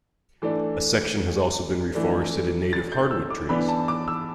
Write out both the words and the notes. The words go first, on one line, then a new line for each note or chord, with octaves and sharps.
A section has also been reforested in native hardwood trees.
E3 A3 D4
E3 A3 D4
A6
G6
E6
D6
E3 B3 D4 B5
A5
D6
E6